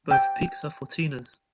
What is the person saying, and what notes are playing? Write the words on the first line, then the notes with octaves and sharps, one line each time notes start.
Both peaks are fourteeners.
G5